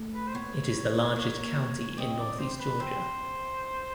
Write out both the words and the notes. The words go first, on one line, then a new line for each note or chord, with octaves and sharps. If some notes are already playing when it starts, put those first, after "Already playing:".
It is the largest county in Northeast Georgia.
Already playing: A3
B4
C5
B3 C#5
A#3
C4 D#5
D5
C5
C5
B4
C4 C5